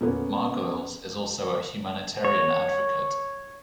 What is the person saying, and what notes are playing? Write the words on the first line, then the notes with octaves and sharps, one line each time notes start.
Margolyes is also a humanitarian advocate.
E2 A#2 D3 A#3 B3 C#4
C#5